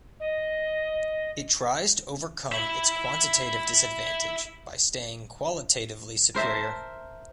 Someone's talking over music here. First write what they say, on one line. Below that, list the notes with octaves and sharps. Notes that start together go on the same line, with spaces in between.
It tries to overcome its quantitative disadvantage by staying qualitatively superior.
D#5
E5 B5
A#4 C5 E5 A5